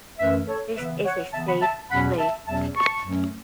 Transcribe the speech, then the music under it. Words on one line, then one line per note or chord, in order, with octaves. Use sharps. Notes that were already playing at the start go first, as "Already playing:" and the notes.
This is a safe place.
F#2 E3 A3 C#4 B4 E5
A4 C#5
C#3 E3 B3 B4 E5
C#5 F#5
C#3 E3 B3 E5 A5
F#5 B5
E5 A5
E2 B2 F#3 C#4 F#5 B5
E5 A5
E2 B2 F#3 C#4 E5 A5
A5 C#6
F#2 F#3 A3 C#4